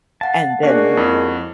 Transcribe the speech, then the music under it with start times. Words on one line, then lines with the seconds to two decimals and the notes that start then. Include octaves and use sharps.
and then, w
0.21 F5 F#5 A5
0.63 G#3 A#3 C#4 D4 F#4 G#4 D5
0.97 F2 E4